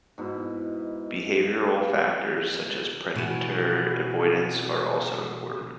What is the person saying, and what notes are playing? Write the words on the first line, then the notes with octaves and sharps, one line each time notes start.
Behavioural factors, such as predator avoidance are also important.
G#2 B2 E4
B2 E3